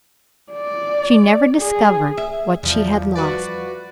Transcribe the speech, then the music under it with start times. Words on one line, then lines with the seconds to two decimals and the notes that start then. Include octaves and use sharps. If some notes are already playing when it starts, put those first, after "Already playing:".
She never discovered what she had lost.
0.51 D5
1.59 G#4
2.17 E5
2.63 E2 F3 G3
3.15 F#4 B4 D5